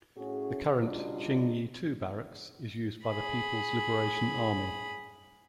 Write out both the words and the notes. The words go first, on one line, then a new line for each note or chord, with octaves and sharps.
The current Ching Yi To Barracks is used by the People's Liberation Army.
A2 C#4 F#4 G#4
C#3 G3 D4 D#4 F4 F#4
G#4 B5